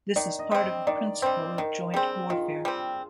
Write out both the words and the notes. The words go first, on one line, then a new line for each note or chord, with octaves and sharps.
This is part of the principle of joint warfare.
D#3 D5
D#5
G3 C4
D#5
D#3 D5
G3 C4 C5
D#3 A#4
G3 C4 G#4
D#3 F4
G3 C4